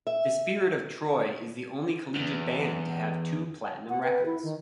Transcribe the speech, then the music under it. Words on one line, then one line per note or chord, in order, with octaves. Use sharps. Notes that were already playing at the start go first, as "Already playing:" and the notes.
The Spirit of Troy is the only collegiate band to have two platinum records.
E5
E2 G#2
F#5
B4
E4
D#3